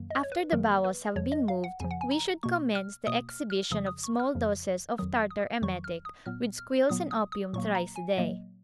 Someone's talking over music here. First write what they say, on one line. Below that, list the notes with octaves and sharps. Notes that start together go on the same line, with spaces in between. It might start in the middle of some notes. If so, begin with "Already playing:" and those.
After the bowels have been moved we should commence the exhibition of small doses of tartar emetic with squills and opium thrice a day.
Already playing: F#2 D#3 F#3 A#3
D#5
C#5
B4
F#2 D#3 F#3 A#3 A#4
B4
F2 C#3 F3 C#5
D#5
F5
F#5
F2 C#3 F3 G#5
F#5
G#5
A#5
B2 A#3 C#6
F6
B2 A#3 D#6
F6
F6
F2 C#3 F3 D#6
D#6
C#6
F6
F2 C#3 F3
F2 D#3 F#3 D#6
D#6
F2 D#3 F#3 C#6
F6
D#6
A#2 F#3 B3 F6
F6
A#2 F#3 B3 D#6
D#6
D#6
A#2 F#3 A#3 C#6
A#5
G#5
A#2 F#3 A#3 D#5